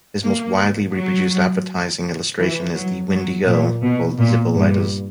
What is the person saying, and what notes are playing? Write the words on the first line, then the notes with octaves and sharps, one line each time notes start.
His most widely reproduced advertising illustration is the "Windy Girl" for Zippo lighters.
A#3
F#3
E3
F#3
F#3
A#2
B2
A#2
G2